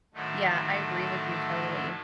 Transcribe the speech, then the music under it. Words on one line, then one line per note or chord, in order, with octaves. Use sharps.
Yeah, I agree with you totally.
A2 D3 D#3 F#3 A3